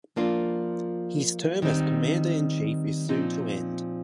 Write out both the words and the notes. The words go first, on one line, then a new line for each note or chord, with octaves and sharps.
His term as Commander In Chief is soon to end.
F3 A#3 D4 F4
D#3 G3 C4 D#4
A#2 F3 C4 D#4